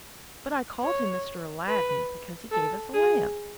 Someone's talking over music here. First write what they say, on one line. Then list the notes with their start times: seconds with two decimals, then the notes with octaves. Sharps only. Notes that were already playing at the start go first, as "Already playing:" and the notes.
But I called him Mr. Aladdin because he gave us a lamp.
0.84 C#5
1.67 B4
2.52 A4
2.94 G#4